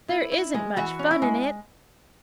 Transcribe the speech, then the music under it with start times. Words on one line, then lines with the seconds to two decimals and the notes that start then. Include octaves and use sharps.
There isn't much fun in it.
0.09 E4
0.32 E4
0.54 G#3
0.76 E3 F#4
0.99 C#4
1.11 E4
1.22 G#3